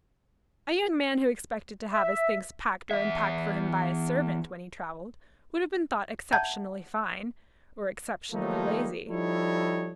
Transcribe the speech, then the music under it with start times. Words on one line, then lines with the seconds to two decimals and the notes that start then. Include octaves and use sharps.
A young man who expected to have his things packed or unpacked for him by a servant, when he travelled, would have been thought exceptionally fine, or exceptionally lazy.
1.93 E5
2.91 E2 E5
6.33 E5 F#5 A5 A#5 G6 G#6
8.32 D#3 F3 G3 A3 A#3 D#4
9.08 F3 G3 D#4 E4 A4 C#5